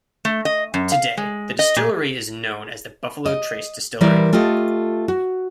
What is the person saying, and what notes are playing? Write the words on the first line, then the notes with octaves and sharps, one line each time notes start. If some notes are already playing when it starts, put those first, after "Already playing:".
Today the distillery is known as the Buffalo Trace Distillery.
A3
D#5
F#2
F5
G#3
D#5
A#2
D#5
E3 G3 E4 A#4 C5 D5
A3 F4 G4 A4 D#5
F#4